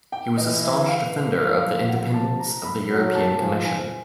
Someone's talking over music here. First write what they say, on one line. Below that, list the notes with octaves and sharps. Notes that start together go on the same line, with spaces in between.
He was a staunch defender of the independence of the European Commission.
G5
E3 D#5
E5
F5
F3
F#5
A5
A#5
B5
F#3
A5
F3 G#5
G#5